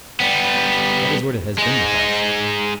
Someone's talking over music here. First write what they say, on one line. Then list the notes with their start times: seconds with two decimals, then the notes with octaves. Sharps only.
That is what it has been with us.
0.20 G3 B3
1.58 G#3 D#4